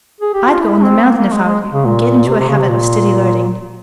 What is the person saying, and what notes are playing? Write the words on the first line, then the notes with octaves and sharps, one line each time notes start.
"I'd go on the mountain if I were you, and get into a habit of steady loading."
G#4
G4
F4
E4
C4
A#3
A#3
G#3
G#3
C#3
A#2
C3
C3
C#3
C3
A#2